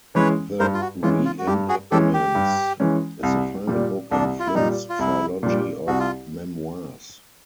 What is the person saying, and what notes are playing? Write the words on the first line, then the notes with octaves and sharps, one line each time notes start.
"The Reenactments" is the final book in Flynn's trilogy of memoirs.
E3 G#3 C#4 B4 C#5
G2 A#4 C5
F4
F#4
E3 G#3 C#4 F4
F4
F#4
G2 G4
F#4 G#4
E3 G#3 C#4 G4 A4
G4
G2
E3 G#3 C#4
C2
A#2 G3
C2 D4
F4
E4
A#2 G3 D#4
F4
C2 E4
A#2 G3
C2 F#4
F4